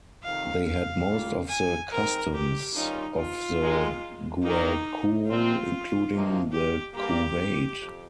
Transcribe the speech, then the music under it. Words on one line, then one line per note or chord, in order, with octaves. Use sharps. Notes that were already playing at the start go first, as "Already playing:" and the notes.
They had most of the customs of the Guaycuru, including the couvade.
F2 C3 D#3 F5
F5
C#3 G3 A#3 F4
G#5
D#2 D#3 G#3 C4 D#4 A#4
G4
D#3 G3 C#4 D#4 F4
F4
D#2 D#3 G#3 D#4
D#2 D#3 A#3 D#4
C3 F3 C4 F4
C3 F3 A#3 D#4
G4
G2 G3 A#3 G4
F2